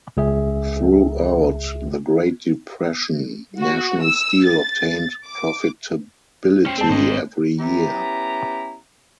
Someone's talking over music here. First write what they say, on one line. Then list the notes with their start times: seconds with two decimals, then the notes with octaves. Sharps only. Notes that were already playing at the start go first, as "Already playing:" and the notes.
Throughout the Great Depression, National Steel obtained profitability every year.
0.17 C#2 G#4 E5
3.58 F#4
4.02 E6
4.45 A6
5.25 D6
6.66 C#4 C5 G5
6.78 G#3 C4 A5
6.89 G#1 C5 D#5
7.60 B3 C#4 E4 G4 A#5